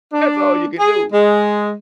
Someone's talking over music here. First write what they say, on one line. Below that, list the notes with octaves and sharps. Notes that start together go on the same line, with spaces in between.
all you can do.
D4
G#4
G#3